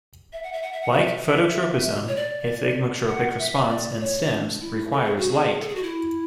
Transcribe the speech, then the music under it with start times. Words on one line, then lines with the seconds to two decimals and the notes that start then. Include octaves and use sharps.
Like phototropism, a thigmotropic response in stems requires light.
0.33 E5
0.43 F#5
0.53 E5
0.62 F#5
0.72 E5
0.82 F#5
0.92 E5
1.25 E5
2.08 C#5
2.16 D5
3.07 F#5
3.38 E5
3.69 D5
4.00 C#5
4.30 D4
4.61 E4
4.91 A4
5.04 G#4
5.18 F#4
5.31 G#4
5.61 A4
5.69 G#4
5.75 F#4
5.83 E4